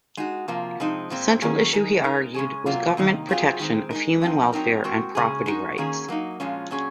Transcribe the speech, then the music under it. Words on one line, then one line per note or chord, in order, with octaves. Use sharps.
The central issue he argued was government protection of human welfare and property rights.
G#3 D#4 F#4
C3 F3 A#3 F4
C3 F3 G#3 C4 D#4
A#2 G#3 C4
D#3 F#3 A#3 C#4 G#4
D#3 G#3 D#4 A#4
G#3 D#4 A#4
C#3 G#3 C#4 G#4
C3 F#3 A#3 F4
C3 D#3 A#3 D#4
F#3 C4 F4 G#4
D#3 G#3 C4
G#3 D#4 A#4
F3 C4 D#4
F#3 C4 D#4 A#4
G#3 C4 F#4 A#4
C#3 G#3 C#4 G#4
G#3 D#4 F#4
D#3 A#3 C#4 G#4
F#3 A#3 D#4
A#2 F3 G#3 C#4 F4
A#2 F#3 C#4 G#4